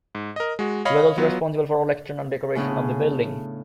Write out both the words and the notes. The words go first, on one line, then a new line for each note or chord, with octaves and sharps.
He was also responsible for all the external decorations of the building.
G#2
A#4 D#5
G#3 F#4
C#5 D#5 F5 B5
F#3 B3 F4
A2 C#3 B3 D4 G#4